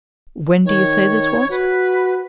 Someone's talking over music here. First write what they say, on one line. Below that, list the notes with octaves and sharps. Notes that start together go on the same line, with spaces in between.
"When do you say this was?"
D#3 C#5
F#4 B4